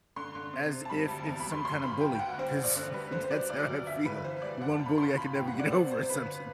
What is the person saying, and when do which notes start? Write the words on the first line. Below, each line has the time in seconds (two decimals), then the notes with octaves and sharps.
as if it's some kinda bully 'cause that's how I feel. The one bully I could never get over or something.
0.16 D3 C6
0.35 D3
0.53 C3
0.72 C3
0.85 A5
0.90 G3 B5
1.08 D2 A5
1.27 E2 A5
1.40 B5
1.46 G3
1.52 C6
1.65 F#2 C6
1.82 G1 B5
2.01 F#3 G5
2.15 G5
2.19 D2 F#5
2.38 G2 C5
2.51 C5
2.56 A1
2.64 D5
2.75 D3 C5
2.94 G3 B4
3.12 D3 C5
3.24 C5
3.31 F#3 D5
3.50 D2 D5
3.68 F#3
3.86 G1 E5
4.05 G1 B4
4.24 E3 C5
4.42 G3 D5
4.61 F#2 F#5
4.74 A5
4.79 F#2
4.86 B5
4.97 G1 C6
5.17 G1 B5
5.35 A2 G5
5.48 F#5
5.54 G3
5.59 D5
5.72 C3 C5
5.91 C3 C5
6.09 G1 B4